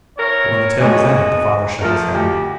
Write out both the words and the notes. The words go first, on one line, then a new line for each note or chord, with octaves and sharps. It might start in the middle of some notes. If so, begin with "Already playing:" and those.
But when the tale was ended the father shook his head.
C4 E4 A#4 C#5
D2 G#2 F#4 A4 D#5
D3 F3 A3 A#4
D2 G4